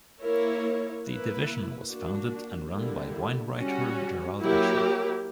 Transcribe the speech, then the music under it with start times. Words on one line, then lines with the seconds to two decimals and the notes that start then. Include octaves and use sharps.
The division was founded and run by wine writer Gerald Asher.
0.21 A#3 E4 A#4 C#5
1.05 A#3 E4 B4
1.88 A#3 D4 F#4
2.72 D3 G3 A#3 E4
3.56 G3 C#4 F#4
4.40 F#3 A#3 E4 G4 A#4